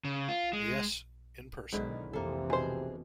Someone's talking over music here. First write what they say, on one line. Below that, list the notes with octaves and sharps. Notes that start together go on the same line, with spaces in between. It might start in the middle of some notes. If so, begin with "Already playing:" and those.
Yes, in person.
C#3
F4
G#3
B1 G#2 D3 D#3 E4
F1 F2 C3 E3 A#3 A4
B2 G#4 C5